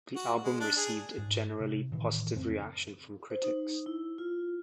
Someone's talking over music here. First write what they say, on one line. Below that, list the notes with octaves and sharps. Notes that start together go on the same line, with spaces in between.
The album received a generally positive reaction from critics.
F#4
G#3
D4
G#4
G#2
C3
A2 D#3 E3
F2 C#3 A3 C4
C5
D#4
E4
F4